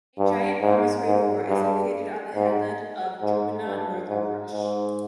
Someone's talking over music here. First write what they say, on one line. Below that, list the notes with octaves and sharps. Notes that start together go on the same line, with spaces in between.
A giant promontory fort is located on the headland of Drumanagh, north of Rush.
G2
G#2
G#2
G2
G#2
G#2
G2
G#2
G#2